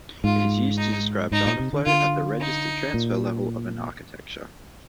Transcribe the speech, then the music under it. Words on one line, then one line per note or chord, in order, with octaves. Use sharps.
It is used to describe data flow at the register-transfer level of an architecture.
G#2 F4
D#4
G#2 D#4
A#2
C3
D3
D3 F4
D#4
A#2